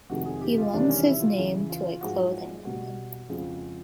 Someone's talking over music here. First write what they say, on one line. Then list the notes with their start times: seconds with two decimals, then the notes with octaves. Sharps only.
He lends his name to a clothing line.
0.10 F2 C3 D#3 G#3 F#4
0.26 G#4
0.41 G4
0.58 F4
0.73 E2 C3 D#3 G3 D4
0.90 C#4
1.05 E4
1.21 F4
1.37 E2 C#3 E3 E4
1.69 F4
2.01 G#2 F3 G#3 F#4
2.23 F#4
2.65 B2 G3 F#4
3.29 F2 C#3 F3 G#3